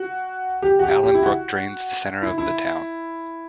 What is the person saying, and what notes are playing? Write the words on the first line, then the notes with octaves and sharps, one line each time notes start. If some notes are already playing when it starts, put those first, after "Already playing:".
Allen Brook drains the center of the town.
Already playing: F#4
G4
F#4
G4
G4
E4
F#4
E4
E4